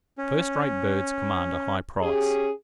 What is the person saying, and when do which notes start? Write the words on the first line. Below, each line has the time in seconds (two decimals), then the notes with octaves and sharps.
First-rate birds command a high price.
0.18 C#4
2.02 C#4 G4 G#4